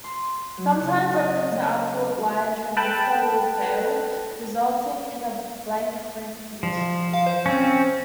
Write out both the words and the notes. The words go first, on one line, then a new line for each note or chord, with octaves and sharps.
Sometimes a printer output line transistor would fail, resulting in a blank print position.
C6
F#3
C#3
D#5
A#3
A4 B4 G5 A5 F#6
F3
F5
C5
C4 C#4